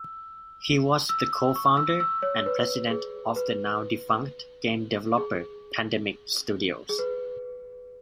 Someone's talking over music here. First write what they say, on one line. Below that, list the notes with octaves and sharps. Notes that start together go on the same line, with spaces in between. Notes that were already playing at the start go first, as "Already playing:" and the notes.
He was the co-founder and president of the now defunct game developer Pandemic Studios.
Already playing: E6
E6
C#6
E6
E6
C#5
B4
G#4
B4
G#4
G#4
B4